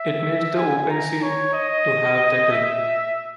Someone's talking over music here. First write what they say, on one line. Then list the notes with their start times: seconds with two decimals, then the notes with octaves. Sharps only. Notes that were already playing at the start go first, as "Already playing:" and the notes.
It needs the open C to have that ring.
Already playing: E5
0.57 G#5
0.90 A#5
1.22 C#5
1.54 D#5
2.51 E5